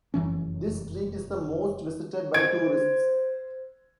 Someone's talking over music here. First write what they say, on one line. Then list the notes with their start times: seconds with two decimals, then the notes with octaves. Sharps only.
This street is the most visited by tourists.
0.14 F1 F#2 E3 C#4
2.34 C5 G#6 D7